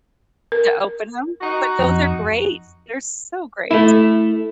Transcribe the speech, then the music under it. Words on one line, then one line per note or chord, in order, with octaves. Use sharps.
to open them? But those are great, they're so great.
A#4
D#4 F#4
F2
A3 E4